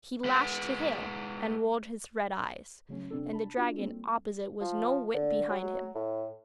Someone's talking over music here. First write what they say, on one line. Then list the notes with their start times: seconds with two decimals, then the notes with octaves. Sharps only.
He lashed his tail, and rolled his red eyes, and the dragon opposite was no whit behind him.
0.25 G#3 B4 F#5
2.89 C#3 F#3 A3 C#4
3.11 C3 C4 D4 A4
3.33 A5 B5
3.57 D4 F4 F#4
3.77 G3 A#3 C4 A4
4.61 F3
5.14 D3
5.49 F#3
5.95 A2